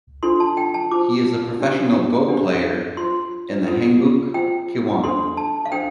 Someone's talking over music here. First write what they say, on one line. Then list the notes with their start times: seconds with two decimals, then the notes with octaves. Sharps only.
He is a professional Go player in the Hanguk Kiwon.
0.23 D4 F4 A4 C5 C6
0.40 A5
0.57 G5
0.74 A5
0.91 F4 C5 D6
1.60 D4 G4 C5
2.28 D4 G4 C5
2.97 F4 C5 C6
3.66 F4 A4 C5
4.34 F4 C5 G5
5.03 D4 A4 C5 C6
5.37 A5
5.66 F5
5.72 D4 A4 C5 G5